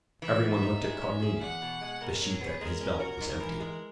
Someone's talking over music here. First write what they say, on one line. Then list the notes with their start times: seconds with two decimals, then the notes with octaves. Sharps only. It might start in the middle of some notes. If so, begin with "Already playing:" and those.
Every one looked at Carlini; the sheath at his belt was empty.
0.22 E3 E5
0.42 B3
0.53 E5
0.63 D#4
0.83 G#3
1.02 C#4
1.22 G#4
1.41 E2 F#5
1.62 B2
1.81 G#3
2.01 B2 A#4
2.22 F#3
2.31 G#4
2.41 B3
2.60 G#3 A#4
2.81 C#4
3.00 F#4
3.21 G#2
3.40 E3
3.60 G#3